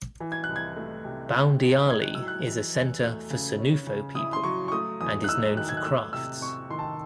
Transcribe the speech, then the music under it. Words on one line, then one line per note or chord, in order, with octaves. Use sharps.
Boundiali is a centre for Senoufo people and is known for crafts.
E3
G#6
C2 F#6
G#6
A3
C3
C4
G#2
G#2 G#6
F#6
F#3 E6
F#6
E3
E2
A3
C#3
C#4
C#3
E4 D#6
C6
F#3 C#6
C#6
A3 D#6
E2 D#6
F#6
D#4 E6
D#3 F#6
G#6
F#6
A3 E6
C3 E6
C4 C#6
D#3 C6
A5